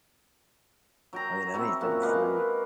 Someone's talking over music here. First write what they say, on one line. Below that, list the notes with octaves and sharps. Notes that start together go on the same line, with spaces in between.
I mean, anything free.
F#3 G5 A#5
F#3 C4 E4
F#2 A#2 F#4
G#3 A#3 B4